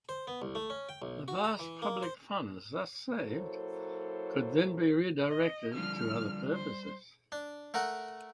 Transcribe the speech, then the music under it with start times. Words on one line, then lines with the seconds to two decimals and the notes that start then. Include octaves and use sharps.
The vast public funds thus saved could then be redirected to other purposes.
0.09 C5
0.27 B3
0.42 C2
0.55 A3
0.70 C#4
0.89 G5
1.02 B1
1.28 F#4
1.44 A#5
1.59 E3
1.82 A#3
2.03 C5
3.19 F#3 A#3 E4 A4 C5 C#5
5.28 D#5
5.74 D3 F3 G3 F4 F6
6.53 C5
7.32 D4
7.74 A3 A#4 F#5